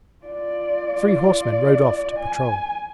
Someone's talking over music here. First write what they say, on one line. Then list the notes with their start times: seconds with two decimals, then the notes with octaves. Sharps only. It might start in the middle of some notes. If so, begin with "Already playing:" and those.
Three horsemen rode off to patrol.
0.25 F4 D5
2.19 G#5